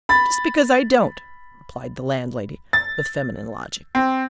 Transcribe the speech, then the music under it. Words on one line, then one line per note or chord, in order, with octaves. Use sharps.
"Just because I don't," replied the landlady, with feminine logic.
B5 A6
A6
C4